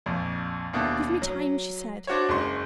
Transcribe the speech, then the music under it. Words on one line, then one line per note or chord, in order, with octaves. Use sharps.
"Give me time," she said.
A#1 F2
D#2 B2 A3 D4
F#3
D4 F#4 C5 C#5
F#1 G#3 C6 C#6